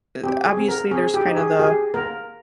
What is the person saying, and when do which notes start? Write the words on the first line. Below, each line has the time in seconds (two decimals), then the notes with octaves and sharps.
eh, obviously, there's kind of the
0.24 C4 G4
0.46 G#4
0.57 C4
0.68 A#4
0.91 C4 G#4
1.14 G4
1.25 D#4
1.37 G#4
1.59 G4 G#4
1.94 A#3 A#4